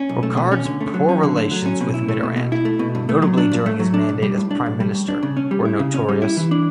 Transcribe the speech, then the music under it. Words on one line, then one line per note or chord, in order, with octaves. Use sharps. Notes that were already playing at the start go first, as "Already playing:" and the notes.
Rocard's poor relations with Mitterrand, notably during his mandate as Prime Minister, were notorious.
Already playing: C#4
B1
A3
B2
C#4
D3
A3
F#3
C#4
D3
A3
F#3
C#4
B2
E4
A3
B2
B2
E4
A3
B2
G2
A3
F#3
D4
G2
A3
F#3
D4
B1
G3
A2
D4
B1
G3
A2
D4
C#3
C#4
G3
E4
C#3
C#4
G3
E4
E3
D4